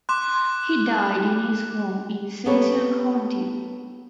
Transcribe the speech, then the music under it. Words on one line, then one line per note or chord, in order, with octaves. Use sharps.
He died in his home in Cecil County.
C6 D6 F#6
A#3 B3 G4 A4 B4 C#5